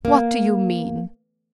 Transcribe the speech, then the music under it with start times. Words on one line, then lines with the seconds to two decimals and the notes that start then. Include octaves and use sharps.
"What do you mean?"
0.05 A#3